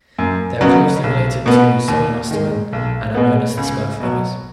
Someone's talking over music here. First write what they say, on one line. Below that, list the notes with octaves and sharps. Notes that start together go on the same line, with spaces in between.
They are closely related to "Solenostemon" and are known as the spurflowers.
F#2
C#3 F#3 B3 D#4
B1
B2 B3
D#2
D#3 G#3
B1
B2 G#3 B3
C#2
B2 F#3